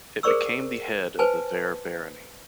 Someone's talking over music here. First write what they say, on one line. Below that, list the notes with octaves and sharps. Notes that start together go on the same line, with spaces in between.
It became the head of the Vere barony.
G#4 A#4 C5 D5 C#6 E6
B4 C5 G#5 A5